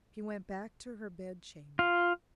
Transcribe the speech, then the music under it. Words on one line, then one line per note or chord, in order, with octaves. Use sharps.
She went back to her bed-chamber.
F4